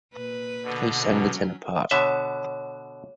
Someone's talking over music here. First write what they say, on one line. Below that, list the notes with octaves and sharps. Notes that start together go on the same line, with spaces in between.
He sang the tenor part.
A#2 B4
B2 D3
F#3 C#4
B2 D3 C#5 E5